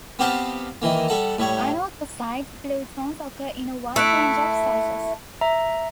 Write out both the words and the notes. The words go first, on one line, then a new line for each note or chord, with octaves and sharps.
Anorthosite plutons occur in a wide range of sizes.
B3 C4 G4 F5 G5 A5
D#3 E3 A#3
G3 A4 F#5
A2 G3 C#5
A3 E4 E6 F#6 D7
E5 A#5